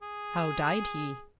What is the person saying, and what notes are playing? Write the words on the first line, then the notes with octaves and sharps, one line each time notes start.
"How died he?"
G#4